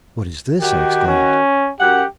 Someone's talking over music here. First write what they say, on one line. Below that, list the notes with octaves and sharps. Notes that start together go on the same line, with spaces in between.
"What is this?" I exclaimed.
D#3 F#4 G4
C#4
F#2 G4 F#5